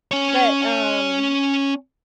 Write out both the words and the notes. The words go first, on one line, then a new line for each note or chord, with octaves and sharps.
But, um,
C#4 C#5